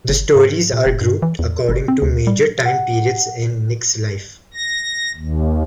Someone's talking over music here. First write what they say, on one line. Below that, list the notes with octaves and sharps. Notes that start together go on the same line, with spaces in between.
The stories are grouped according to major time periods in Nick's life.
G1
G#2
A#2
F1
G2
E3
E2
G1
C4
D2
G3
F#5
A#6
D#2